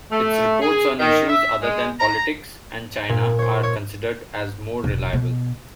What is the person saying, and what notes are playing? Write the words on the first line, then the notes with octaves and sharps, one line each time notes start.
Its reports on issues other than politics and China are considered as more reliable.
A3
G#4
D#3
E5
G#3
A#5
A#2
C5 C#5
C#5
E1
B2